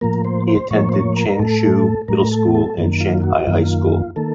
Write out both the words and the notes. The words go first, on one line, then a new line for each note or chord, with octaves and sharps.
He attended Changshu Middle School and Shanghai High School.
A2 F3 A#3 A#4
C5
C5
A2 F3 A#3 C#5
C5
C#5
A#4
A#4
A2 A3 A4
A2 A3 A#4
A4
A4
F#2 D#3 A#3
F4
F#4
F#2 D#3 A#3 F4
F4
D#3 A#3 A4